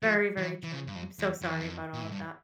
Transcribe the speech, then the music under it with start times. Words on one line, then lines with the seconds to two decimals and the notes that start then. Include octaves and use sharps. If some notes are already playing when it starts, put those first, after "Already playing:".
Very, very true. I'm so sorry about all of that.
0.03 F3
0.37 E3
0.63 E3
0.72 C#3
0.87 G2
0.95 F2
1.19 E2
1.42 F2
1.51 E2
1.60 F2
1.94 A#2
2.02 G#2
2.12 G2